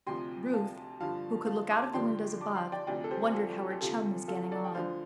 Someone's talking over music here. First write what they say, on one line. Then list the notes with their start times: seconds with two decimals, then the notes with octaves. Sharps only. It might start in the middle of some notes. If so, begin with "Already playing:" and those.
Ruth, who could look out of the windows above, wondered how her chum was getting on.
0.07 D2 C3 F3 G5 C6
0.54 F5 A5
1.00 G2 D3 F3 F5 A5
1.47 F5 A5
1.71 A5 D6
1.84 A5
1.94 G2 D3 F3 G5 C6
2.41 A5 D6
2.56 G5 C6
2.72 D5 G5
2.87 D2 C3 F3 D5 G5
3.04 A4
3.11 G4 C5
3.34 F4 A4
3.58 G4
3.70 G4
3.81 D2 C3 F3 F4 A4
4.28 F4 A4
4.51 A4 D5
4.64 G5
4.75 D2 D3 F3 C5 F5